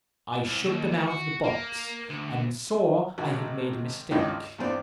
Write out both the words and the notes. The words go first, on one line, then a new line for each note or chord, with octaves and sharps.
I shook them out of the box and saw I had made a mistake.
C2
D#2
D2
F#4
A#3
D2
G#1 F#4
G#1 C#2 G2 E3 D#4 G5
F6
E2 G2 C4 D5